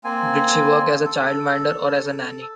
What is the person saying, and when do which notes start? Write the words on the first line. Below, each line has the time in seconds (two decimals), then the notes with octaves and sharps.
Does she work as a childminder or as a nanny?
0.04 A#3 C4 G#5
1.05 A4